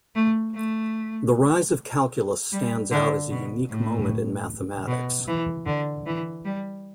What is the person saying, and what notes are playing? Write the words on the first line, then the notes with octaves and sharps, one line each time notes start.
The rise of calculus stands out as a unique moment in mathematics.
A3
A3
G3
D3
B2
A2
B2
E3
D3
E3
G3